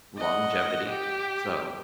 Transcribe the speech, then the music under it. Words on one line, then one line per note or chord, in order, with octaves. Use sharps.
longevity. So,
D#5 F#5
G4